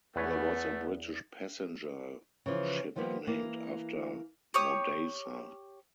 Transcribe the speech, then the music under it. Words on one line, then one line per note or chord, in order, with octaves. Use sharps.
There was a British passenger ship named after Modasa.
E2 A3 B3 B4 C#5
C#3 E3 F3
D#3 F3 G3 A#3 B3
E3 A#3
G4 C#5 D#6